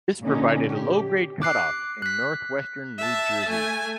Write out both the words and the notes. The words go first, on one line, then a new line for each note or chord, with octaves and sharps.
This provided a low-grade cutoff in northwestern New Jersey.
A#2 D3 C#4 D#4
G4
D6 F#6 C7
F#6 B6
E5 A5
A3 G#5